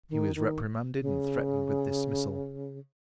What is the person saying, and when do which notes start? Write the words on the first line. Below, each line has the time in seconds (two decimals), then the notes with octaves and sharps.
He was reprimanded, and threatened with dismissal.
0.09 D#3
0.36 D#3
1.01 C#3